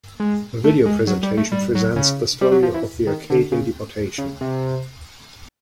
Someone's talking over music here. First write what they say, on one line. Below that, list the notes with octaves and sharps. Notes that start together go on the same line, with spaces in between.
A video presentation presents the story of the Acadian deportation.
G#3
A3
G#3
F#3
G3
A3
G3
F#3
C#3
G3
F#3
F3
E3
D#3
D3
C#3
C#3
C3